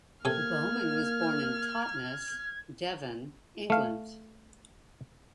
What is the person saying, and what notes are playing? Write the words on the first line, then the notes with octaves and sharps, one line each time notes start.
Beauman was born in Totnes, Devon, England.
C3 A#3 A4 F6 G#6
A3 F5